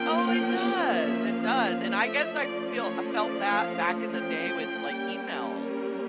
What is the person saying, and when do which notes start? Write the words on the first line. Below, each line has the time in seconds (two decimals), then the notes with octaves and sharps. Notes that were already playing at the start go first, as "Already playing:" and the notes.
Oh, it does, it does, and I guess I feel I felt that back in the day with, like, emails,
Already playing: F3 A#3 C#4 G5
0.60 G5
0.96 E5
1.32 F5
2.03 F3 A3 C#4 E5
2.40 D5
2.76 C#5
3.11 D5
3.47 F5
4.18 G5
4.91 G3 A#3 C#4
5.63 A#4